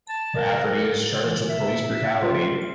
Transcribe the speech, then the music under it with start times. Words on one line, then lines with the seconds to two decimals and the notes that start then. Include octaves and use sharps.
Rafferty is charged with police brutality.
0.09 A5
0.36 A#4
0.83 G3
1.22 E3
1.49 E5
2.22 F4